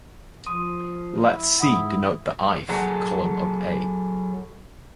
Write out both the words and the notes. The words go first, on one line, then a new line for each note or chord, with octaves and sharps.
Let "c" denote the "i"-th column of "A".
F3 C6 D#6 D#7
E4
G#2 F#5 B5 D#6
F#3 F#4 G#4 A4 F#5 A#5